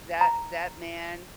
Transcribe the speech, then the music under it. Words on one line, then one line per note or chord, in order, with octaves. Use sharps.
that that man
A#5